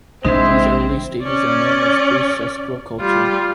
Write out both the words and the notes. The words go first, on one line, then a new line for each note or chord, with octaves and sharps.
These early stages are known as pre-Sesklo culture.
A#1 D3 G#3 C4 D4 E4 C5
C#4 D5
G3 F4